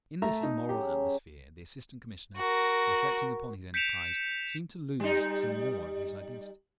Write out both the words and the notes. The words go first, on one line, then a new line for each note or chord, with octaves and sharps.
In this immoral atmosphere the Assistant Commissioner, reflecting upon his enterprise, seemed to lose some more of his identity.
A3 E5 A5 A#5
D#4
F#2 C#3 F#3 G4
F#4 A#4
G6 B6 C#7 D7 E7 F7
G3 D#4